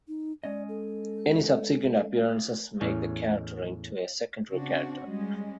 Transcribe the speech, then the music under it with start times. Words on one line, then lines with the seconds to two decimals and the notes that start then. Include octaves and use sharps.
Any subsequent appearances make the character into a secondary character.
0.08 D#4
0.44 G#3 C#4 D5 D#5
0.69 A4
2.81 E2 A2 C#4
4.48 C#3 C4 D4 F#4
5.05 G3 G#3 C#4